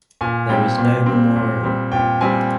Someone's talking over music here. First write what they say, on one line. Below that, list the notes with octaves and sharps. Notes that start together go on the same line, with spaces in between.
There is no memorial.
A#2 G#5
G3 C4 G5
A#2
G3 C4
A#2
G3 C4
A#2 G5
G3 C4 G#5